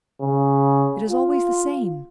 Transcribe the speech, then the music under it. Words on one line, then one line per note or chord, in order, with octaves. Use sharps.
It is always the same.
C#3
F4